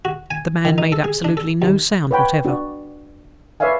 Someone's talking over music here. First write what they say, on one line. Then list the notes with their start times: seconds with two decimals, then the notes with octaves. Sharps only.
The man made absolutely no sound whatever.
0.05 F#4
0.31 G#5
0.65 D#3
0.78 D#4
0.92 A4
1.04 G#4
1.24 D4
1.37 A4
1.62 D#2
2.11 B4 C#5 F#5 G5 B5
2.45 D4 F#4 D5
3.60 B4 C#5 D5 E5 F5 G#5